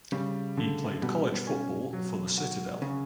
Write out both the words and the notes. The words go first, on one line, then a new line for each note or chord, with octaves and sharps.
He played college football for The Citadel.
C#3 G3
D3
B2 G3
C#4
F#3
F#4
C#3 C#4